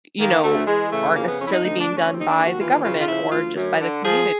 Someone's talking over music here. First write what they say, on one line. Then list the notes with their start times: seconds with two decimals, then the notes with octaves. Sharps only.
you know, aren't necessarily being done by the government, or just by the community.
0.19 D#3 A#3
0.43 D2 A3
0.67 E3 G#3
0.91 C#3 A3
1.15 F2 A#3
1.27 B3
1.39 F2 C#4
1.46 E4
1.52 D#4
1.63 D2 D#4
1.80 D4
1.88 D2
1.96 C#4
2.11 D#2 C4
2.20 D#4
2.28 D4
2.36 D#2
2.44 F#4
2.59 E3 F4
2.83 C#3 F4
2.99 F4
3.08 F3 E4
3.32 D2 F4
3.56 F#2
3.81 D3
4.04 F3 G#4